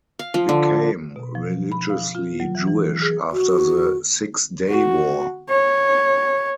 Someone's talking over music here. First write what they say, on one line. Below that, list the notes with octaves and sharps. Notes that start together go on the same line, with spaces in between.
He became religiously Jewish after the Six Day War.
F5
F3
D3
B2
F3
B5
F5
F4
F#3
E3
E3
G#4
F#4
F#4
C#5